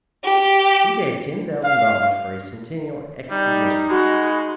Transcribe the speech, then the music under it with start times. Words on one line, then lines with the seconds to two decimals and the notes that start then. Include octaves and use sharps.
He gave ten thousand dollars for a Centennial Exposition.
0.24 G4
1.64 F5
3.30 G3 D#4
3.89 G#3 F#4 B5